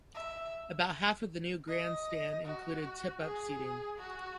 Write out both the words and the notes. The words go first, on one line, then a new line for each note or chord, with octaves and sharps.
About half of the new grandstand included tip up seating.
E5
D#5
F#4
G#4
F#4